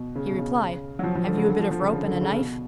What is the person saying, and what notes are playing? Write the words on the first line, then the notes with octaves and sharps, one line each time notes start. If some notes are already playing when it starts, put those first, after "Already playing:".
He replied, "Have you a bit of rope and a knife?"
Already playing: B2
C#3
B2
C#3
F#3
F3
F3
D3
C#3
D3
F3
F3
C#3
D3
D3
C#3
B2